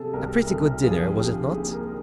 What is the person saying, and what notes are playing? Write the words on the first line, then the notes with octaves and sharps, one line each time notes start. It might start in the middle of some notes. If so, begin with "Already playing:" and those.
A pretty good dinner, was it not?
Already playing: C3 G#4 A4
C2 A#4
C2 A4
F3 G#4
G#4
D3 G4
D#2 G#4
A#4